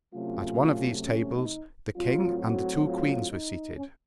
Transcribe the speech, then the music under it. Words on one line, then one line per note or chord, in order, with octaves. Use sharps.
At one of these tables the king and the two queens were seated.
C3 F#3 A3 C#4 F4
C#4
D#4
A2 F#3 C4 F4
F#4
F4
D#4
C#4